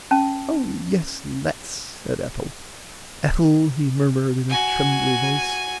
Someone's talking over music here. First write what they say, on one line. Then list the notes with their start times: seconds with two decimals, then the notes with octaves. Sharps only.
Oh yes lets said Ethel." "Ethel he murmered in a trembly voice.
0.11 C#4 A5
4.49 F#4 G#5